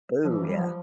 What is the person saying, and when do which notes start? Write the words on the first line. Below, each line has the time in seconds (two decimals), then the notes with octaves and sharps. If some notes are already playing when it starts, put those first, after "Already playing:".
Ooh, yeah.
0.24 F3
0.29 E3
0.43 G3
0.56 F3